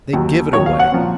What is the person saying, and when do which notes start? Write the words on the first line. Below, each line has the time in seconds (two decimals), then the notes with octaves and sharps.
They give it away.
0.13 D#2 D#3 F#3
0.52 D#2 D#3 F#3 C#5
0.66 F5
0.79 F#5
0.92 A#2 F3 C4